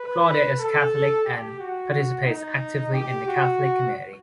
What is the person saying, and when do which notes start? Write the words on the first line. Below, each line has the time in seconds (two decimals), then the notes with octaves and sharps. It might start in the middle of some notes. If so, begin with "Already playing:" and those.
Claudia is Catholic and participates actively in the Catholic community.
Already playing: B4
0.59 A4
1.25 G4
1.59 F#4
2.26 D#4
2.93 G4
3.28 F#4